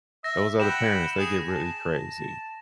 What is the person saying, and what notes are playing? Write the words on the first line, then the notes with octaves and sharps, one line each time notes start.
those other parents, they get really crazy.
E5 A#6
F#5 G5 B5 E7
G#4
A5